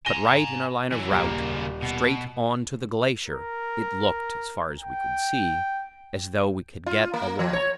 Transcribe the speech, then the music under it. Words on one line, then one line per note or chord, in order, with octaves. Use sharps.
But right in our line of route -- straight on to the glacier -- it looked, as far as we could see, as though we could get along.
G#5 A#5 A#6 D#7 G7
E3 F#3
D#1 C#3 A#3 A#5
B2
A#4
G5
F4
A#3
F3
C#5